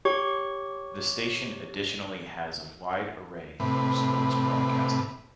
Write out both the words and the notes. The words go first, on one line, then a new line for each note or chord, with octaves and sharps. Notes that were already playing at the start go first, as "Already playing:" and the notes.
The station additionally has a wide array of sports broadcasting.
G4 C#5 C#6
A2 C3 B4